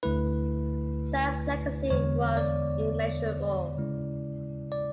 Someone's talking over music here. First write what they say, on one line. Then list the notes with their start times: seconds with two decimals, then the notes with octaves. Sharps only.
Seldes' legacy was immeasurable.
0.03 D2 D3 A3 E4 B4
1.90 E2 D3 G#3 B3 C#5
2.37 D5
3.77 C#3 G#3 C#4 E4
4.72 D5